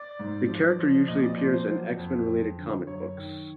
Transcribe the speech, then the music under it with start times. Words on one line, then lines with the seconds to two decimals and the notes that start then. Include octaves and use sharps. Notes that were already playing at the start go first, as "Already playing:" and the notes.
The character usually appears in X-Men-related comic books.
Already playing: D5
0.19 G#2
0.48 F3
0.79 F3
1.08 A#2 D#5
1.23 D5
1.38 F3 C5
1.53 C5
1.67 F#3
1.98 F2
2.27 F2
2.57 D3
2.87 F#2 C#5
3.17 D#3